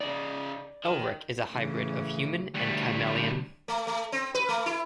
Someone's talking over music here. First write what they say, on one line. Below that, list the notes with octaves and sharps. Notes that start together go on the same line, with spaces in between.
Elric is a hybrid of human and Kymellian.
C#3 D#4 D5
D#3
A2 C#3 E3
D2 G3
A3
A3
C4
B4
A3
E4